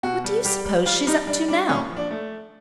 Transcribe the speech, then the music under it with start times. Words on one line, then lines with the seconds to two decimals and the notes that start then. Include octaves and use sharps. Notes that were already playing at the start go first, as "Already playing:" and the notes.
"What do you suppose she's up to now?"
0.03 B2 F#4
0.24 G3
0.45 G3 G4
0.65 G3
0.86 G3 F4
1.07 G3 D#4
1.27 G3 D4
1.48 G3 D4
1.69 A#2 C#4
1.90 F3
1.96 D4
2.11 A3